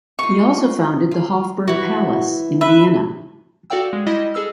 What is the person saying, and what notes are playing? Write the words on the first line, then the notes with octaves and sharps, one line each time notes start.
He also founded the Hofburg Palace in Vienna.
D#4 F4 C#6
F4
E3 E4 F#4
B4 E5
F#4 A4 D5 F5 G5 E6
G#3
G3 E4 D#5 A#6
G#4 A4 E6 F6